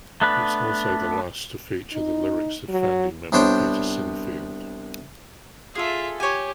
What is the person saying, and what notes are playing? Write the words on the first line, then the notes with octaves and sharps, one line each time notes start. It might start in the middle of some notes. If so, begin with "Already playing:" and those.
It's also the last to feature the lyrics of founding member Peter Sinfield.
A3 B3 D4 B4
D#4
F#3
C2 B3 D4 C5 C#5 G5
F4 G#4 A4 E5
G4 C#5 G#5